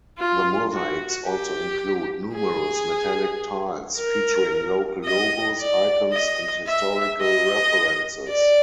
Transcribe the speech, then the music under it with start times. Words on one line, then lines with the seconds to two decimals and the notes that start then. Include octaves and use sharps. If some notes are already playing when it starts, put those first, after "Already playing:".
The mosaics also include numerous metallic tiles featuring local logos, icons and historical references.
0.19 F4
0.73 F#4
1.27 G4
2.35 G#4
3.97 A#4
5.05 D#5
5.59 D5
6.13 D#5
6.67 E5
7.21 D#5
8.29 D5